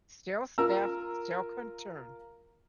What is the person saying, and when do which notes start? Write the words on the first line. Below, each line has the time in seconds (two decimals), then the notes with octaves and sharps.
Still stiff, still couldn't turn.
0.58 F4 A#4 A#5 E6